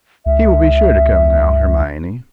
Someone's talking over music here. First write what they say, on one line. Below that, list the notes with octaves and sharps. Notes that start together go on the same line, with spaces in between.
"He will be sure to come now, Hermione."
C#2 E5